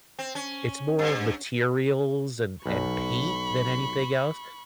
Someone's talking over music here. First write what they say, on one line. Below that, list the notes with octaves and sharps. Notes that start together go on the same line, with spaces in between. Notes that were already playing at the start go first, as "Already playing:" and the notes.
it's more materials and and paint than anything else
C4
C#4
G2
B1 B5 C#6